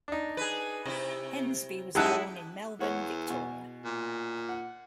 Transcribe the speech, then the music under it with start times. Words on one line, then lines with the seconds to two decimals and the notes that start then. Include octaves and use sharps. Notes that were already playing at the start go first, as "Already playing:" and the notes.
Hensby was born in Melbourne, Victoria.
0.08 D4 D#4
0.37 G#4 B4
0.85 C3 E4
1.95 F#2 G#3 D#4 E4 G4 E5 F#5 A5
2.80 E2 C#5 F#5
3.27 B2 G#5
3.85 A#2
4.49 F#5